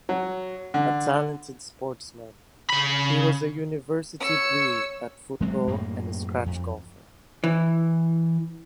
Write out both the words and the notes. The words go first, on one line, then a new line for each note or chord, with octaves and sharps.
A talented sportsman, he was a University blue at football and a scratch golfer.
F#3
D3
C#3 B5
C#5 E6 C#7
F#3 G#3 C4
F#2 A2 A#3
F2
E3